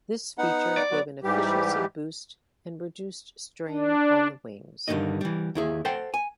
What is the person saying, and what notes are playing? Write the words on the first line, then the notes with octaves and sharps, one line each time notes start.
This feature gave an efficiency boost and reduced strain on the wings.
B3 D#4 F#5
D5
F#3 B3 F#4
G#2 E3 G3 G4
D4
G2 A#2 D3 D#3 D#5
E3 G3
D#2 E4 G#4
A4 C5 F#5 G5
G#5